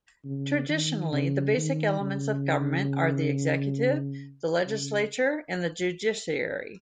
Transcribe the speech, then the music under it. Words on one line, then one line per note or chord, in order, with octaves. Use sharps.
Traditionally, the basic elements of government are the executive, the legislature and the judiciary.
C#3
D#3
C#3
D#3
C#3
C#3